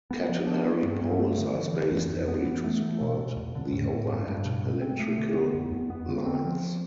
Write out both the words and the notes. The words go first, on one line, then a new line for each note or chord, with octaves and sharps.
Catenary poles are spaced every to support the overhead electrical lines.
B3
F3
D4
B3
G2
G2
A3
D3
E3
E3
F2
F2
B3
E3
A3
A3
B2
B2
E2
D3
A2
A2
G2
G2
B2
B2
C4
A3
D3
B3
F2
F2
B3
D3
C4
F3